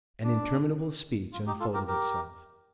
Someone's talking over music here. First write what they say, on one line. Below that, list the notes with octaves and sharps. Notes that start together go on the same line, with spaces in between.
An interminable speech unfolded itself.
D4
F4
D#4 G4
F4 A4
G4 A#4
G4 A#4